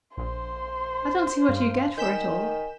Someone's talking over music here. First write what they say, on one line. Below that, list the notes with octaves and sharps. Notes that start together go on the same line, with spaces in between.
"I don't see what you get for it all."
A#1 C5 C6
G2 F5
D#3 G#5 G6 B6 E7